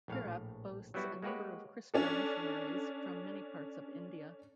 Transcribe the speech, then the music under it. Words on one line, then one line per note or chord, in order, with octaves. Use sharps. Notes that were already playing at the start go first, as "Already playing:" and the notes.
Tirap boasts a number of Christian missionaries from many parts of India.
A#1 A2 C#5 F5
F#3 G3 B3 E4 F#4
G#3 A#3 F#4 G4 B4 C#5
C#4 D4 A4